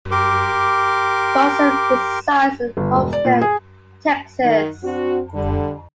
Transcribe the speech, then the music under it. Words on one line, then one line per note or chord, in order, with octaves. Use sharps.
Fossum resides in Houston, Texas.
G4 A#4 C6 D6
G1
E1
D5
A#2
G#4
D#3
C4 D4 F#4
D3 G3